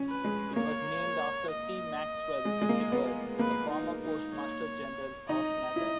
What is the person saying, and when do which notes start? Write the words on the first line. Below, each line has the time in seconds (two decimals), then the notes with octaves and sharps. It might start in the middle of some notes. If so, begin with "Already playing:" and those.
It was named after C. Maxwell-Hibberd, the former postmaster-general of Natal.
Already playing: C#4
0.09 B4
0.24 G#3
0.56 A#3 C#5
1.50 D#5
2.45 G#3
2.61 G#3
2.69 A#3
2.92 B3
3.39 A#3 B4
3.71 D#4
4.02 D#4
4.34 C#5
5.28 D#4 D#5
5.76 E4